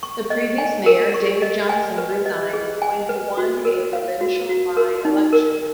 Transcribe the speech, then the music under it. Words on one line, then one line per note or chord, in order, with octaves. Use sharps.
The previous mayor David Johnson resigned when he won a provincial by-election.
C#6
D#5
G#5
A#4
C#6
D#5
G#5
B4
D#5
G#4
G#5
B4
F#4
A#4
F5
F#4
F#4
A#4
D#4
A#4